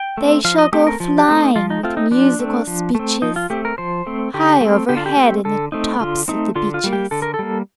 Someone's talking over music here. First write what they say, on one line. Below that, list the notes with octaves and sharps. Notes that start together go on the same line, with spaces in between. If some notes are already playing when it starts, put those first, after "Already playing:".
They shall go flying With musical speeches High overhead in the Tops of the beeches.
Already playing: G5
A3 C4
F3 F5
D#5
A3 C4 G4
A#4
F3
G4
A3 C4
D#4
F3 F4
D#4
A3 C4 F4
D#4
F3 D4
A3 C4
F3
A3 C4
F3 D#4
F4
A3 C4 G4
A#4
F3 C5
A3 C4
D3 G4
A3 C4
D3 G4
F4
G4
A3 C4
D3 A4
A3 C4 D#4
D3 F4
A3 C4 D#4
D3 F4
F4
G3 A#3
G4
D3 A4
A#4
A4
G3 A#3